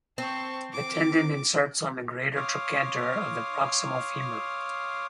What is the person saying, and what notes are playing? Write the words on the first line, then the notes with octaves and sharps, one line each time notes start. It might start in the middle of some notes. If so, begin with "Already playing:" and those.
The tendon inserts on the greater trochanter of the proximal femur.
C4 A5 C#6
D6
C#5 F5 C6 D6 D#6 F6